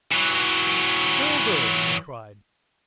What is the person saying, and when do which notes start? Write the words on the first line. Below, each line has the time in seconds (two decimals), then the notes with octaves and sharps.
"Silver!" they cried.
0.11 E3 F#3